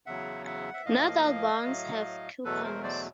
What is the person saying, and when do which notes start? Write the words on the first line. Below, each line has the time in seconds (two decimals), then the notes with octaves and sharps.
Not all bonds have coupons.
0.06 E2 C#3 F#3 E5 F#5
0.46 E5 F#5
0.74 E5
0.85 A2 F3 A#3 D#5 F5
1.65 A2 F#3 A3
2.44 E2 B2 F#3 A3 A4 B4
2.64 A#4 C5
2.83 C5 D5